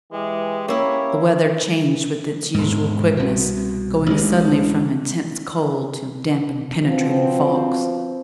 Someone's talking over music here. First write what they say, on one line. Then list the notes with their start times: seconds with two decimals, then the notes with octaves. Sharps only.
The weather changed with its usual quickness, going suddenly from intense cold to damp and penetrating fogs.
0.12 E3 G#3 G4
0.68 A#3 C#4 E4 C#5
2.54 E1 G#2
3.17 C2 B2
4.06 A1 G#3
6.83 B2 F3 C4